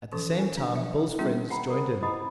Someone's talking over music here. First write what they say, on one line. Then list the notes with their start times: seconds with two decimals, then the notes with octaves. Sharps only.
At the same time Bill's friends joined in.
0.12 E3 F3 C#4 A4 C6
0.35 F4 A#4 G#5
0.57 B3 D4
0.75 F3 B4 E5
1.19 G3 B3 C#4 D4 F4 G#4
1.50 F#5 G5 A#5 B5
1.69 A#4 D5 F#5 D#6
1.84 C5
2.02 E4 D#5 F#5 B5 D#6